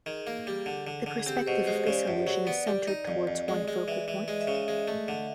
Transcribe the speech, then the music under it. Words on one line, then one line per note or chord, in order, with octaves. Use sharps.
The perspective of this illusion is centered towards one focal point.
D#3 G#4
A#3
G3
D3
D3
D3
G#4
C4 G4
B2 C5
G#3 C5
C#3 D5
F#2
F#3
B3 D5
G3
D#4
F2
F2
G#3
G#3
E3
E3
G#3 D#5
E5
C#3
D#5
G#3
A3
D3